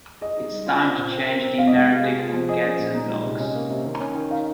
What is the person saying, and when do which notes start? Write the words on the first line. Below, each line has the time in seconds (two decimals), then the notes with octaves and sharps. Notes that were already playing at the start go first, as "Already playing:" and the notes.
It's time to change the narrative on cats and dogs.
0.22 G#4 D#5
0.37 D#4
0.52 G3
0.67 F4
0.82 C4
0.97 A#2
1.12 C4
1.28 A#4
1.43 C4
1.58 C3 F5
1.67 D#5
1.73 G#3 F5
1.88 C3
2.04 G#4
2.18 F4
2.34 F3
2.49 G#4 D#5
2.65 C#4
2.80 A#2
2.95 D#4
3.10 G#3
3.24 C3
3.40 C#4 D#5
3.55 A#3
3.70 C3
3.85 D#3
4.01 C#4
4.15 D#3
4.31 D#4 F5